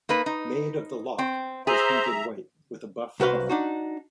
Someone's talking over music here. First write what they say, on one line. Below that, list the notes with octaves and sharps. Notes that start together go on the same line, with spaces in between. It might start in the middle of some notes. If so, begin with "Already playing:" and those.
"Maid of the Loch" was painted white with a buff funnel.
A#3 D#4 B4
D#4
C4
G#4 C5 E5 A#5
C2 F#4 B4 F5 C6
D4 D#4 F#4